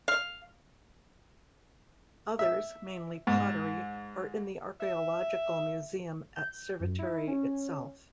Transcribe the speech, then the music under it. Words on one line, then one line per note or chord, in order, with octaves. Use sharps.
Others, mainly pottery, are in the Archaeological Museum at Cerveteri itself.
F5
E5
G#2
E5
G6
F#2
E4
C#4